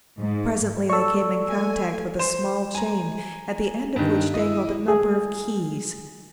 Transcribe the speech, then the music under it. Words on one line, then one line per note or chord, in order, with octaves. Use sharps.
Presently they came in contact with a small chain at the end of which dangled a number of keys.
G#2
A4 D5 C#6 E6
A3 G#5
C5 E7
G#5 A#5
G2 D#3
E4 D#5
G#4